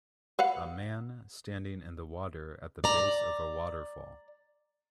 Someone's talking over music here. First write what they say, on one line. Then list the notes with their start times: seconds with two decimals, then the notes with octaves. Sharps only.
A man standing in the water at the base of a waterfall.
0.39 B4 F5 F#5
2.84 D5 A#5